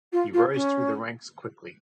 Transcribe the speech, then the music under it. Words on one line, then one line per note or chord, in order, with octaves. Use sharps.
He rose through the ranks quickly.
F4
F4
C#4